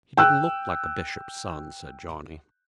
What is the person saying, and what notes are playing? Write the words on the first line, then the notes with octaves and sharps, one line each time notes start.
"He didn't look like a bishop's son," said Johnny.
G5 E6 F#6